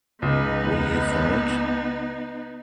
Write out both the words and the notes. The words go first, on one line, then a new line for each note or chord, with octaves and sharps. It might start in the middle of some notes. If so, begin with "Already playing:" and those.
Will he fight?
C#2 B3 D#4